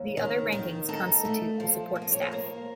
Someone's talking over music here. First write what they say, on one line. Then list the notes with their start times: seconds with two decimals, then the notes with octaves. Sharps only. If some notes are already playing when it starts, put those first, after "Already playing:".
The other rankings constitute the support staff.
Already playing: D#2
0.17 D#3
0.52 D#3
0.88 D#4 A4
1.25 A3
1.60 F3
1.96 A#3
2.02 D#5
2.12 C#5
2.22 C5
2.32 A#3 A#4